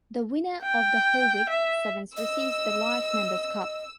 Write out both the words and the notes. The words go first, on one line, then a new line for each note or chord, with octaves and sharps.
The winner of the Hawick Sevens receives the Life Members Cup.
G5
E5
D#5 E6